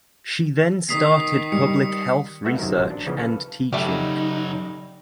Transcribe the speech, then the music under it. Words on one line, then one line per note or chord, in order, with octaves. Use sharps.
She then started public health research and teaching.
D#3 D#6 B6 C7
G3 C#7
G#3 A3 B3 F#4 E5 F5
F#2 C3 D#3 F#3 A#4
A1 C3 F3 F#3 A#5
D4
C#3 E3 F3 A#3 B3 C#4
A4 B4 F5
C#3 F#3 G3 A3 D#4